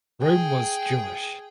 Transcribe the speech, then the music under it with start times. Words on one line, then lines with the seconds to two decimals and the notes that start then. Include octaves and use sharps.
Rome was Jewish.
0.22 G#4 G5